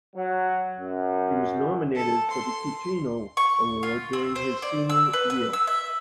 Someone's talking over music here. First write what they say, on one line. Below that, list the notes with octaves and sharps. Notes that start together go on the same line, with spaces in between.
He was nominated for the Cutino Award during his Senior year.
F#3
F#2
A4
C6
C#6
F4
C4
C5
D5
E6
B4
B4
E6
E5